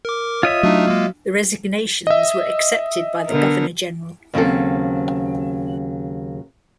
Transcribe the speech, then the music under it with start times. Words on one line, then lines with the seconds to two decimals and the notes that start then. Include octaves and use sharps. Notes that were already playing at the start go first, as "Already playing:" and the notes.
The resignations were accepted by the Governor General.
0.05 A#4 D6
0.43 F4 C#5 D#5 E5
0.63 F#3 A3 D4 D#4
0.87 G#3 A#3
2.07 D#5 E5
3.28 D3 B3 A#4
4.34 D#2 C#3 F#3 C4 A4